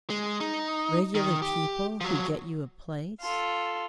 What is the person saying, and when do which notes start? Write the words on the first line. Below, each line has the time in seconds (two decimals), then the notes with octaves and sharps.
"Regular people who get you a place?"
0.10 G#3
0.40 D#4
1.15 D#3
1.42 G4
2.01 F3 F#3
3.21 F4 A4